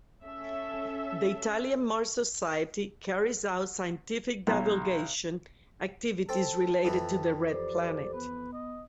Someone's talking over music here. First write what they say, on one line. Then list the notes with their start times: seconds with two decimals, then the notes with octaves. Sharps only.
The Italian Mars Society carries out scientific divulgation activities related to the Red Planet.
0.25 C#4 A4 E5
4.47 B1
6.29 C4 A4 A5
6.85 F2 E3 G5
7.49 G4 A4 C5 D5
8.14 B3 B4
8.53 D#5